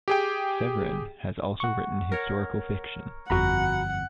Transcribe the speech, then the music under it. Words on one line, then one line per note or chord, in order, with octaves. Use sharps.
Severin has also written historical fiction.
G4 G#4 G5
F#5 C#6
A#4 C#5
G1 F2 F#4 F#5 A#5 B5